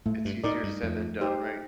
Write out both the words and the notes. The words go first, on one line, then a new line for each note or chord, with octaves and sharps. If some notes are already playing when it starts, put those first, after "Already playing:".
It's easier said than done, right?
A2 A3
G2
A2 D#4 A#4 D5
G2
F2 A3
D#4 G4 C5